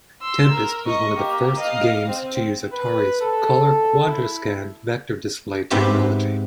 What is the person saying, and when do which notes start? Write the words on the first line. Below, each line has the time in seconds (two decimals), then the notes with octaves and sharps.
"Tempest" was one of the first games to use Atari's Color-QuadraScan vector display technology.
0.21 C6 E6
0.52 A#4
0.86 D#5 C#6
1.16 A#3 G4
1.58 D#5 F5
2.06 C4
2.73 B4
3.21 A4
4.07 E4
5.71 G#2 B3 C4 G4 E5